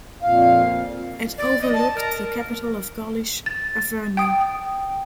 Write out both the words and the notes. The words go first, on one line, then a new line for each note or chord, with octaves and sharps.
It overlooked the capital of Gaulish Avernie.
F2 A#2 F5
D5
D#5
A5
A#4
A6
G5 D#6